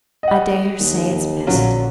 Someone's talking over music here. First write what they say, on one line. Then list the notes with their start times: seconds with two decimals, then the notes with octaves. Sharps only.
I dare say it's best.
0.23 D#5 F#5
0.80 D#2
1.47 A#1 D3 F#3 C#4 F4